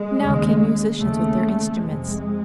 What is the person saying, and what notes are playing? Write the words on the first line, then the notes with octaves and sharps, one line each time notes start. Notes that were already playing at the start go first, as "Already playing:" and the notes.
Now came musicians with their instruments.
Already playing: G#3
D#2 C#3
D#2 C#3 A3
F2 C3 G#3